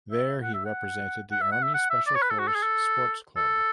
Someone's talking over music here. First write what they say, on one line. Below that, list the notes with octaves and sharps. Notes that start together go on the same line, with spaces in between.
There he represented the Army Special Force Sports Club.
E5
F#5
E5
F#5
F#5
E5
F#5
E5
F#5
E5
D5
C#5
B4
A4
F#4
A4
G#4
A4
A4